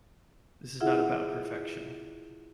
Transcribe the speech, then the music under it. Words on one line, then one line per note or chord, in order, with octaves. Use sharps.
This is not about perfection.
E4 F4 G#4 E5 F#5